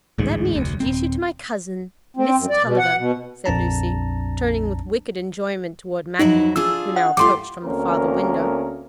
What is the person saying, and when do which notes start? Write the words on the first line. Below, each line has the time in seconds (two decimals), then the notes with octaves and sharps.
"Let me introduce you to my cousin, Miss Tulliver," said Lucy, turning with wicked enjoyment toward Maggie, who now approached from the farther window.
0.18 A1 D2 G#2
0.55 F1 D2
0.80 D#1 G#1 C4
2.17 C4
2.37 F#2
2.50 D5
2.64 B2
2.78 F#5
2.98 B2
3.46 A#1 F2 D4 A5 A#5
6.19 F2 F#3 D#4 E4
6.56 D4 F4 G#4 E6
6.96 F#5
7.17 G3 A3 F4 C6 D6
7.64 D2 A#3 C4 C#4 A#4